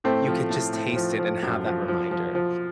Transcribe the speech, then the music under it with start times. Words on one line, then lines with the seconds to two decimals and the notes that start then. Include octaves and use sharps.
you could just taste it and have that reminder.
0.04 A2 A3 C4
0.27 F3
0.50 A2
0.73 A2
0.96 F3
1.19 F3
1.43 F#2
1.66 F3
1.88 F3
2.11 F3
2.35 F3